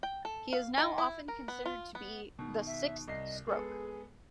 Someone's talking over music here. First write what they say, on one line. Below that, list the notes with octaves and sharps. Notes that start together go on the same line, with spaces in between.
He is now often considered to be "the sixth Stroke".
G5
A4
F5
D#3
E4
A#4
B3
F4
B3
B2 D#3
E5
C2 D#5 A#6 C7
G#3 B3 G#4 A4